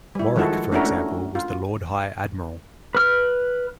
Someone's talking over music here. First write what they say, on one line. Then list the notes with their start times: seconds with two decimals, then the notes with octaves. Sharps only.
Warwick,for example, was the Lord High Admiral.
0.15 G3 E4
0.36 D#3 F3 G#3 E4 F#4 A4
0.72 A3 C#4 D4 E4 F#4 A#4
0.85 A3
1.35 F4
2.95 B4 F6